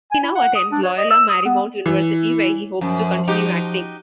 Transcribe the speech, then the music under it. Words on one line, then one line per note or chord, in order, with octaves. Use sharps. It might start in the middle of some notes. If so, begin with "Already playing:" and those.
He now attends Loyola Marymount University, where he hopes to continue acting.
G#5
E4
F#5
D#6
D4
C#5
D#5
E6
D#6
B3
E3
F#2 F3
D#4 F#4 G4